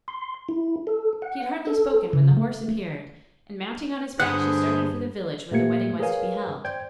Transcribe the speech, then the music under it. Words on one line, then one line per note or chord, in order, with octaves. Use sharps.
She had hardly spoken when the horse appeared, and mounting on his back she started for the village where the wedding was to be held.
C6
E4
A4
F#5
A4
C#3
A3
G2 D3 B3 G#4 C5 F#5 F#6
A#2 A3 A#3 G4 G#6 C#7
G#4 A#4 B4 C#5 F5 G#5
C5 D5 G5 G6 G#6